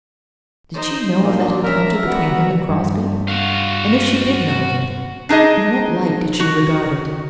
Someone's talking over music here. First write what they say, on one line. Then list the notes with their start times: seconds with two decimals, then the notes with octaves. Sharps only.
Did she know of that encounter between him and Crosbie? and if she did know of it, in what light did she regard it?
0.74 D#4 C5
1.22 A#2 D4
1.64 C#4 A#4 E5 A#5
2.07 G3 B3 F#4
2.69 G2
3.28 F#4 F5
5.29 D4 D#4 G#4 D#5
6.40 F#4